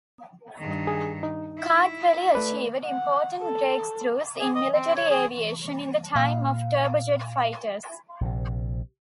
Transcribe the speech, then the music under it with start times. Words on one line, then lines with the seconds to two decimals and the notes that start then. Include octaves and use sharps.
Kartveli achieved important breakthroughs in military aviation in the time of turbojet fighters.
0.58 G2 D#3
0.87 G#4
1.23 D#4
1.59 E4
2.33 A3 B4 D5
2.85 F#5
3.42 A4
4.40 G#4
4.55 D#5
4.74 C4
4.96 C#5
5.10 G#4
6.15 A#2 F5
8.21 A#1 C3